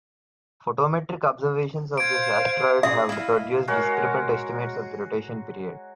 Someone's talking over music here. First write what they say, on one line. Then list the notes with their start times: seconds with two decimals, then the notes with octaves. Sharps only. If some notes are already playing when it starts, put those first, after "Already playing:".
Photometric observations of this asteroid have produced discrepant estimates of the rotation period.
1.98 C5 F5 G#6 D7
2.83 G#4 E5 D#6
3.09 E4 D#5 F5
3.67 G#3 F#4 A#4 C#5